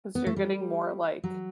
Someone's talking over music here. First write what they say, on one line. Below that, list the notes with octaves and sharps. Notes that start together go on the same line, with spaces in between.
'Cause you're getting more like,
B3
A3
G3
F#3